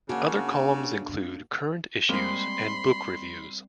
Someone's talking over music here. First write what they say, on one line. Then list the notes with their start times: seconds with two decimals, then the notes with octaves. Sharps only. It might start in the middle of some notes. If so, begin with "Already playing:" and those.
Other columns include Current Issues and Book Reviews.
0.09 C#3 A#3 D4 F#4 F5
2.09 G3 G#3 A#3 C4 G#4 B5 C6